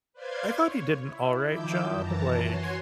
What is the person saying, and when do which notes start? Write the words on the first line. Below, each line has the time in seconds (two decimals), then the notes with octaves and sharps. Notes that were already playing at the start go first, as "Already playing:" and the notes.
I thought he did an all right job. Like,
0.13 B4 C5 D5 F5 C6 G#6
0.53 C#5
1.00 E4
1.49 D#3 F3 E4 D6 E6 G6
1.91 F#2 E3 A5 A#5
2.42 F#4 C#5 G#5 C6